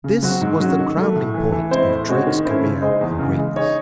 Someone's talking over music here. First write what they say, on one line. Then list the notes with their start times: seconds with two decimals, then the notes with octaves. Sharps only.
This was the crowning point of Drake's career and greatness.
0.04 C#3
0.23 F#3 C4 F#4
0.41 G#2
0.60 F#3 C#4 F#4
0.79 D#3
0.97 F#3 A3
1.16 A2
1.34 E3 A3
1.52 E3
1.71 G#3 C4 E4 C5
1.90 A2
2.08 G#3 C4 F#4 C#5
2.27 D#3
2.45 A3 C#4 E4 C5
2.64 C#3
2.82 G#3 D#4 G#4 C5
3.01 E2
3.19 C#3 E3
3.37 G#3
3.56 D#4 G#4 C#5